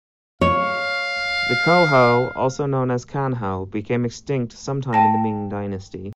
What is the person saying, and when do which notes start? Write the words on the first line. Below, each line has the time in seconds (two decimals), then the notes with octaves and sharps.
The "konghou", also known as "kanhou", became extinct sometime in the Ming Dynasty.
0.41 C#5 F5
4.93 G5 A5 A#6